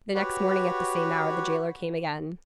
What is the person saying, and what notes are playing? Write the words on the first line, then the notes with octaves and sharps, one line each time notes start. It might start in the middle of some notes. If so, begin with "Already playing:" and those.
The next morning at the same hour, the jailer came again.
F#4 G4 B4 C#5